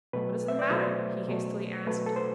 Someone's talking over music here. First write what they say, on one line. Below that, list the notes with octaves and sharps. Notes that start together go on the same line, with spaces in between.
"What is the matter?" he hastily asked.
B2 F#3 A3 B4
E5
D5
B2 F#3 A3 C5
B2 F#3 A3
B2 F#3 A3 B4
A4
C5